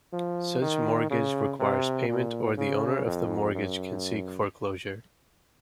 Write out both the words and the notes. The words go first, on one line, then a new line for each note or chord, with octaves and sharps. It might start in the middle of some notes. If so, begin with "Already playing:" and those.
Such mortgage requires payment or the owner of the mortgage can seek foreclosure.
F3
D#3
C#3
C3
A#2
C#3
F2
F#2